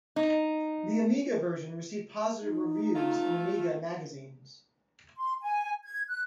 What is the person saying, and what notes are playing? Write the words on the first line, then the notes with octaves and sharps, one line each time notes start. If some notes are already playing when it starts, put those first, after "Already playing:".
The Amiga version received positive reviews in Amiga magazines.
D#4
D#4
A3 F4
C6
G#5
G#6
F#6